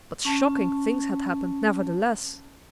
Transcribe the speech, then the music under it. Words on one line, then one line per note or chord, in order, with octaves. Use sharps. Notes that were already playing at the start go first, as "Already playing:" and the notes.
But shocking things had happened, nevertheless!
C#4 A5